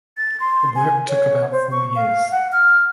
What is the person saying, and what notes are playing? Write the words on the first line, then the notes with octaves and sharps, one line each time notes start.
The work took about four years.
A6
C6
G#5
C#5
C5
C#6
F5
F#5
F6